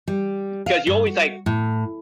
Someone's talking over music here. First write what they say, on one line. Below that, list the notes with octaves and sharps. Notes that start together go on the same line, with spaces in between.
'cause you always, like,
G3
F5
G2
F#4
A2